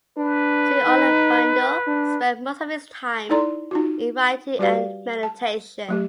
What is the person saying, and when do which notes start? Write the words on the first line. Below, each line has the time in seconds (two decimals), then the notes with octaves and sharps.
Sri Aurobindo spent most of his time in writing and meditation.
0.17 D4 B4
0.86 D#4
1.87 D4
3.29 D#4 E4 A4 D5 A#5 C6
3.71 D#4 F4 F#4
4.59 G3 F#4 G4 B4 D5 F5
5.23 A5
5.89 F#3 A3 G4